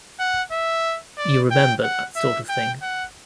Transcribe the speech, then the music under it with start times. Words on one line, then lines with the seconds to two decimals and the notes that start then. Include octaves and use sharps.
You remember that sort of thing.
0.19 F#5
0.52 E5
1.18 D5
1.51 G5
1.84 F#5
2.16 E5
2.49 G5
2.82 F#5